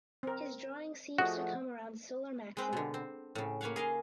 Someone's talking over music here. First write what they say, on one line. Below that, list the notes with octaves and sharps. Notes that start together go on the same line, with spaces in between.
His drawing seems to come around solar maximum.
C4 A#4
F3 A3 F#4 G#4 D#5 F#5
G#3 C4 B4 G5
B2 D3
C4
A2 C#3
A#3 B4 C#5 F5 F#5
G#4 A#4 D#5 F5